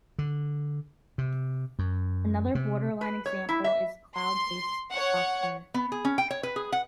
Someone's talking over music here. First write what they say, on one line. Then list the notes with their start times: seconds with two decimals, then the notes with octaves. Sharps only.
Another borderline example is cloud based software.
0.19 D3
1.18 C3
1.79 F#2
2.55 C3
3.01 B4
3.26 C#5
3.49 E4
3.64 E5
4.15 C6
4.90 C#5 F#5
5.74 B3
5.92 G#4
6.05 C#4
6.18 G5
6.31 C#5
6.43 B4
6.56 G#4
6.72 F#5